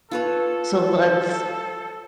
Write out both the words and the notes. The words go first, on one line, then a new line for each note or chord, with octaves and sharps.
so let's
F4 A4 B4 C#5